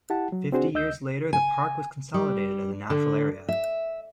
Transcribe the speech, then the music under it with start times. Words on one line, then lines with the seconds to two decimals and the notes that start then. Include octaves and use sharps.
Fifty years later the park was consolidated as a natural area.
0.10 E4 G4 F#5 A5
0.32 F#3
0.52 C4 D4 F#4 G#4 C5
0.75 D2 D#5 E6 G6
1.33 G#5
2.14 G3
2.90 D3
3.49 E5